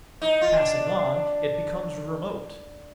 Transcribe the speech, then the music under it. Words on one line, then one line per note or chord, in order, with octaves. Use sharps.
Passing on, it becomes remote.
D#4
F4
D4